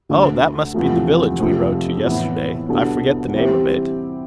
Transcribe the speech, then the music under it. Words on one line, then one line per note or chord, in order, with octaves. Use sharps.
"Oh! that must be the village we rode to yesterday -- I forget the name of it."
D2 D3 A3
E2 C3 F3 A3
F2 C3 F3 A3 C4
A2 E3 B3 E4
C2 B2 B3 D4 A4
E3 G3 C4 E4 G4